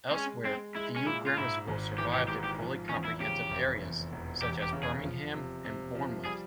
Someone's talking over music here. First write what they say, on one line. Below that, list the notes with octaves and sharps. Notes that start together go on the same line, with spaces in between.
Elsewhere few grammar schools survived in fully comprehensive areas, such as Birmingham and Bournemouth.
C4
G#3 C#4
G#3 C4
G#3 E4
C#4
A#2 E4
F4
G#2 E4
G#1
E3 G4
G4
G#2 G4
G4
F3
E2 C#4
E4
C#3 G4
F1
E2
E1
E2 G4
G4
C#3
G#4
F3
C3
C3
F3
G3 G#4